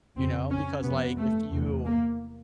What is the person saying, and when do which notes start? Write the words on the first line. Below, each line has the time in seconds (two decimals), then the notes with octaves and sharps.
You know, because, like, if you
0.16 F2 C#3 C4
0.50 C#4
0.83 F2 C3 B3
1.17 A3
1.51 E2 C3
1.85 A#3